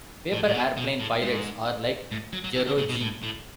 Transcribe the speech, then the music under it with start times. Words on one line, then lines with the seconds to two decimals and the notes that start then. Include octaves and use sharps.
Paper airplane pilots are like JerroG.
0.33 A2
0.48 A2
0.55 B2
0.77 B2
1.00 A2
1.22 G#2
2.11 A2
2.33 F#3
2.44 F#3
2.56 E3
2.67 D3
2.78 C#3
2.89 B2
3.01 A2
3.23 A2